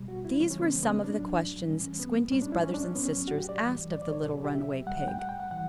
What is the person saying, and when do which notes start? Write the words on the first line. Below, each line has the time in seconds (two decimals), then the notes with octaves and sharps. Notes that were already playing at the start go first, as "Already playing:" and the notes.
These were some of the questions Squinty's brothers and sisters asked of the little runaway pig.
Already playing: B2 G3
0.08 F#4
0.25 E4
0.40 C#3 E3 G3 C#4
0.51 C#4
0.62 B3
0.72 C#4
0.83 B3
0.93 C#4
1.04 A2 F#3 D4
1.67 A2 E3 G3 C#4
2.00 B3
2.31 A2 G3 C#4
2.42 D4
2.52 E4
2.63 C#4
2.74 D4
2.85 C#4
2.95 A2 F#3 B3
3.05 C#4
3.28 F#4
3.38 G4
3.49 D5
3.59 A2 E3 G3
3.91 D5
4.02 D5
4.13 C#5
4.22 B2 A4
4.27 F#3
4.34 G4
4.44 G4
4.55 E5
4.86 A2 G3 F#5
4.97 F#5
5.08 G5
5.19 F#5
5.29 G5
5.40 F#5
5.50 A2 E3 G3 F#5